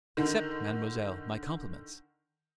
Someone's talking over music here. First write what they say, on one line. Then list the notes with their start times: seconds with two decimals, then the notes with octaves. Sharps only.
Accept, mademoiselle, my compliments.
0.17 D3 D#3